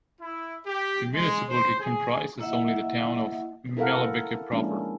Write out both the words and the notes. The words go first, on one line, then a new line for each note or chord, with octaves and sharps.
The municipality comprises only the town of Meulebeke proper.
E4
G4
G#3
C5
G#4
A#3 E4 D#5 E5 F#5
E4 A4 A#4 F5 F#5
F3 G#3 A#3 C#4 D4 E4